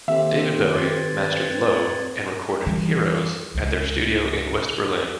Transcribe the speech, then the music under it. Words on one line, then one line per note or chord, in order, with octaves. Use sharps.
David Bowie mastered "Low" and recorded "Heroes" at their studio in West Berlin.
D#3 A#3 C4 G4 A4 E5
B4 G#6 A6
E3 G3
C#2 G#3